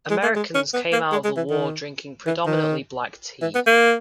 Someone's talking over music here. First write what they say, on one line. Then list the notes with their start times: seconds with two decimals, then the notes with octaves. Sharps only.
Americans came out of the war drinking predominantly black tea.
0.10 G#3
0.23 A#3
0.36 G#3
0.54 C#4
0.74 B3
0.92 A#3
1.12 G#3
1.24 G#3
1.37 E3
1.50 D#3
2.27 E3
2.46 D#3
3.42 E3
3.55 B3
3.67 A#3